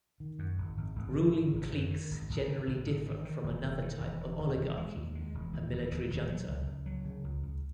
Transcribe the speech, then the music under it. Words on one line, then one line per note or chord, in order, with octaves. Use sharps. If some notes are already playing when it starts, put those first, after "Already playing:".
Ruling cliques generally differ from another type of oligarchy: a military junta.
D#3
F#2
G#1
G#1
G#1
G#1
G#1
G#1
F#2
D#3
G#1
G#1
D#3
G#1
G#1
D#3
D#3
E1
E1
D#3
E1
E1
D#2
E1
G#3
D#2
G#3
E1
D#2
E1
D#2
E1
F#3
C#2
C#2
F#3
C#3
C#2
C#2